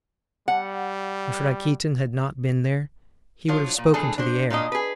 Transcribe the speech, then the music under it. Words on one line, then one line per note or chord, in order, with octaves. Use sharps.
If Rakitin had not been there, he would have spoken to the air.
G3 F#5
F3 F#3 D4 F4
A#2
E3 A3 D4 G#4 A4
D4 F#4 C5
A#2 A#3 D4 D#5
G#4 B4